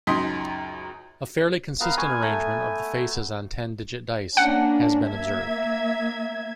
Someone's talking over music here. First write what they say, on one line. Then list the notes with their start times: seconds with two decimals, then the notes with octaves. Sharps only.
A fairly consistent arrangement of the faces on ten-digit dice has been observed.
0.07 C#2 F#2 D#4 C6 D#6 B6
1.81 B3 A#4 F5
1.98 G#5 C#6
2.22 A3
4.37 A#3 C#4 D4 F#5
5.05 A#3 E5 G#6